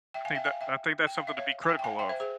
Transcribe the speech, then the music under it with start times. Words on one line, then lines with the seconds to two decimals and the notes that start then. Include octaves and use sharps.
I think that I think that's something to be critical of.
0.14 E5 G5
0.25 F5 G#5
0.35 E5 G5
0.45 F5 G#5
0.61 E5 G5
1.07 G5
1.17 F5
1.27 E5
1.37 C#5 F5
1.64 G#5
1.69 E5 G5
1.79 G5
1.84 F5 G#5
1.99 E5 G5
2.09 C5 E5
2.20 G#4 C5